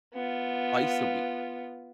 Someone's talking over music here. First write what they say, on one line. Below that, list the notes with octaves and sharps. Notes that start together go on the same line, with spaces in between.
twice a week,
B3 F4